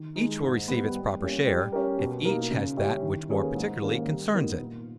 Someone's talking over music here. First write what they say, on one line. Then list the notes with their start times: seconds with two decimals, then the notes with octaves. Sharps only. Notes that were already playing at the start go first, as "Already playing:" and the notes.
Each will receive its proper share, if each has that which more particularly concerns it.
Already playing: D#3
0.16 G#3 D#4
0.43 G#2
0.67 G3 B3 G4
0.94 G3
1.20 A#3 C#4
1.46 G3
1.72 C#4 G4 A#4
1.99 B2
2.25 A#3 D#4 A#4
2.51 C#3
2.77 G3 C#4 E4 G4
3.02 D#3
3.29 A#3 C#4 G#4 B4
3.55 G#2
3.81 D#3 A#3 C#4
4.07 G3
4.34 B3 D#4 A#4
4.60 A#2